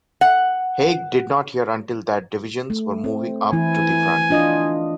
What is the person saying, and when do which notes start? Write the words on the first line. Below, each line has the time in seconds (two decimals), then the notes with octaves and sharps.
Haig did not hear until that the divisions were moving up to the front.
0.21 F#5
2.70 A3
3.04 C4
3.52 E3 E4 G#5
4.30 D4 F4 D#5